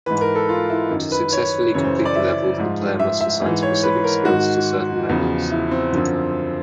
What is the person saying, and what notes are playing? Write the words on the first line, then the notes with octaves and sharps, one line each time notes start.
To successfully complete the level, the player must assign specific skills to certain lemmings.
G#2 E3 B4
A#4
A4
F4
E4
F#2 D#3
B4
C#5
F#2 C#3 E3 C#5
C5
C#5
D5
E5
G#2 F3
E5
E5
G#2 E3
C#5
B4
A#4
G#2 D#3 F#4
E2 C#3 F3
E4
C4
F#2 D3 F3